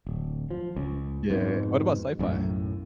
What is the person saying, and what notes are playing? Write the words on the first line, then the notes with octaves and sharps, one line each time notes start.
Yeah. What about sci-fi?
D1
F3
C#2
F2 G#2 B2
B1 F#2 A2